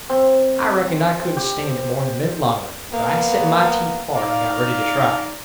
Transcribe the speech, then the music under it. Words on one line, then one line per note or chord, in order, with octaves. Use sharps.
I reckoned I couldn't stand it more'n a minute longer, but I set my teeth hard and got ready to try.
C4
G4
A#3 B3
D#4 D5 F5